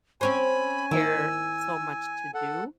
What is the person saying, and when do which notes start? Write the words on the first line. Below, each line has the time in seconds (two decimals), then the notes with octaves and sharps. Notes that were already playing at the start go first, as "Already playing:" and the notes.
care so much to do,
0.21 C4 C#4 C5 G#5 B5
0.91 D#3 E4 E6
2.34 A4 F#5